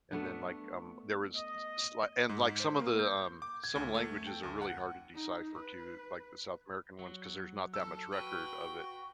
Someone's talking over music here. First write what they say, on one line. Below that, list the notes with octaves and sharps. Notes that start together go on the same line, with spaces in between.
And then, like, um, there was s slight and, like, some of the, um, some of the languages are really hard to decipher, too, like the South American ones, cause there's not that much record of it.
A3 B3 D4
D#5
G#2
C5
A#3
G6
D6
G#6
D2
A3
G5
D2
F#5
D#4
B4
F#3
A4 E6
F#4 B4 G5